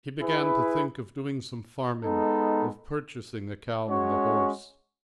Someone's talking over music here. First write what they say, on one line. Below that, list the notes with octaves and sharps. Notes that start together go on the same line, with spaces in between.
He began to think of doing some farming, of purchasing a cow and a horse.
E4 G#4 B4
G#3 B3 D#4 A4
G#3 C#4 F#4 C#5